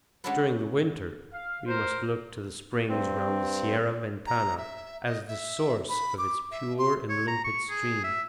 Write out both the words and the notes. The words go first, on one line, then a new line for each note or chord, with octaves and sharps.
During the winter we must look to the springs round the Sierra Ventana as the source of its pure and limpid stream.
G#3 C#4 D4 F#4 A4 B4
F5
A#4 C5
G2 C4
A#5
E5
D#5
E5
B5
D6
E5
C6
C#5
A#5
C#6
G#4
E5